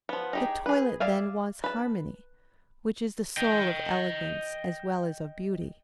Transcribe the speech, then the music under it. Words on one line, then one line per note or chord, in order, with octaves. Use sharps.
The toilet then wants harmony, which is the soul of elegance as well as of beauty.
F3 B3
D#4 G4 G#4
G#4 B4
D5 E5 F5 G#5
B4 A5
D#5 G5